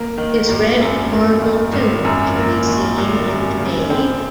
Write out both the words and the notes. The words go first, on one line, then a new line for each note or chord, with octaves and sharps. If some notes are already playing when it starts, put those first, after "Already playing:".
His red marble tomb can be seen in the nave.
Already playing: A#3
D#3
G#1
F#2
A#3
D#3
G#1
F#2
A#3
D#3
G#1
F#2
C#3
C4